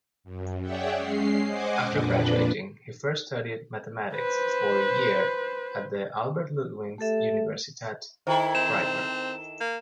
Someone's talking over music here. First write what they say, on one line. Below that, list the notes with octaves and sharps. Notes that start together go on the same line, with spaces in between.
After graduating, he first studied mathematics for a year at the Albert-Ludwigs-Universität Freiburg.
F#2
G#4 C#5 D5 E5 F#5 G5
G#3 C#4 C7
C5 D#5 F#5 G#5 D6
F2 A#2 D4 B4
B4 C5
A3 G4 A4 E5
D#3 E4 A4 C5 A#5
C4 E7
A#3